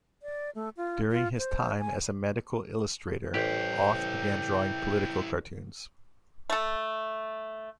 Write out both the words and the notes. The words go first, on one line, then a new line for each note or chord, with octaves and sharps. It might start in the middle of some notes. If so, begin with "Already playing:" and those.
During his time as a medical illustrator, Auth began drawing political cartoons.
D5
A3
F4
F4
C5
G#5
A1 E4 G4 C5 G5
A3 A4